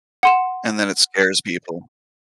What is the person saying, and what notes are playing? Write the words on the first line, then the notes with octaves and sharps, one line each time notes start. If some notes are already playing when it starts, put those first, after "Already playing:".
And then it scares people.
F#5 C6 E7